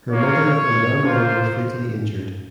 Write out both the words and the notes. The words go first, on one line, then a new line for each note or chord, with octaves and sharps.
His mother and grandmother were fatally injured.
A#3 F4 C#5
A#3 F4 C5